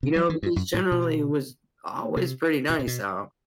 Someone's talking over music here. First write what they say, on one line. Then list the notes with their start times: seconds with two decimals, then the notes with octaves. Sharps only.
you know, because generally it was always pretty nice out.
0.03 C3
0.16 F#3
0.30 E3
0.43 G2
0.56 F#2
0.74 A2
0.92 B2
2.17 C3
2.70 B2
2.79 C3
2.87 B2